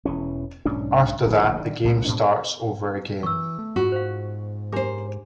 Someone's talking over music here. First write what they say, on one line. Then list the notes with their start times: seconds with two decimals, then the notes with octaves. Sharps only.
After that, the game starts over again.
0.05 E1 E3 C#4
0.65 B1 G#2 C#4 D4
1.25 D1 A#1 E3
1.57 D3 D#3
1.84 C2 A2 C#3
2.05 G#2 B2 C4 D4
3.23 E3 C#6 E6
3.59 A3
3.76 G#2 F4 F#4 C#6
3.92 C5 F5
4.72 D4 G4 A#4 C5 D6